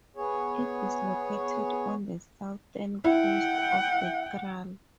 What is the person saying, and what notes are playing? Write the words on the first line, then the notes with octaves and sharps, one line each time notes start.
It is located on the southern coast of the krai.
B3 G#4 C#5
E4 F#5 G5